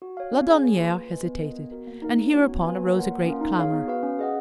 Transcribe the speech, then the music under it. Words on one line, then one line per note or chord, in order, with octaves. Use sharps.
Laudonniere hesitated, and hereupon arose a great clamor.
F#4
C#5 F5
C#4
G#4 C#5 G#5
A#3
F4 B4
F4
B4 D#5 G#5
B3
F4 A#4 D#5
B3
F#4 A#4
A#3
D#4 A#4 F5
A#3
C#4 F#4 C#5
B3
F4 B4 F5 G#5
A#3
F4 A#4 C#5 F#5
A#3
C#4 F4 A#4 F5
D#4
G#4 C#5 F5
B3
F#4 B4 F5
C#4
G#4 D#5 F#5